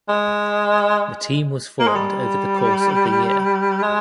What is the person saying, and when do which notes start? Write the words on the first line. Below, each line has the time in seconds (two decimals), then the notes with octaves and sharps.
The team was formed over the course of the year.
0.09 G#3
1.80 A#3
1.88 G#3
1.96 G3
3.83 G#3